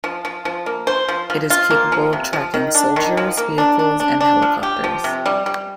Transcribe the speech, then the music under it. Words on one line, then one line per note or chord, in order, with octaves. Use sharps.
It is capable of tracking soldiers, vehicles and helicopters.
F3
F3
F3
A#3
C5
F3
F3
F4
A#3
F3
C3
F3
D#3
D4
D#3
F3
A#3
D4
D4
D4
D4
F3
G4
F3
C3
G3
G3